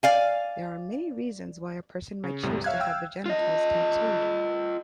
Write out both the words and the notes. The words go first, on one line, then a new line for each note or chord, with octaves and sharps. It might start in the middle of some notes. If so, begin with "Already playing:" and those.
There are many reasons why a person might choose to have their genitals tattooed.
D5 F5 G#5
C#3
G1 E2 A2 C3 G3
C#5 E5 F5 F#6 G#6
F5 G5 E6
F4 D#5